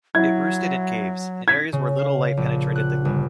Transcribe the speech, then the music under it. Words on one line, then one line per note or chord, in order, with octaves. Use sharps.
It roosted in caves, in areas where little light penetrated the gloom.
F#3 E4 G#6
G#6 B6
C#3
F5
A#1
F#6
G1